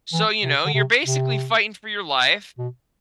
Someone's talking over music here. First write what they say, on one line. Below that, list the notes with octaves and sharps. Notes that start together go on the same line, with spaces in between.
so, you know, you're basically fighting for your life.
E3
C3
D3
C3
C3
B2